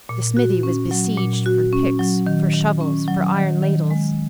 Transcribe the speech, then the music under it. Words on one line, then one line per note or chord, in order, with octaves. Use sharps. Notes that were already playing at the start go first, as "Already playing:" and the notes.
The smithy was besieged for picks, for shovels, for iron ladles.
A#2
F#4
C#4
F#3
A#2
F#4
C#4
F#3
D#3
D#3
C#4
F#3
D#3
D#3
G#3